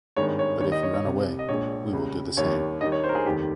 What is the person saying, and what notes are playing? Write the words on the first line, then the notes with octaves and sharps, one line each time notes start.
But if you run away, we will do the same.
G#1 G2 D#3 G#3 C#5
C#5
D#2 D#3 G3 C#5
D#5
C#5
C#5
C2 C3 G3
D#5
A#1 A#2 G#3 C#5
C#2 C#3 G3
D#2 D#3 G3 C#5
D#2 D#3 G3 D#5
C#5
C5
A#4
G#4
F1 D#2 D#3 G3 G4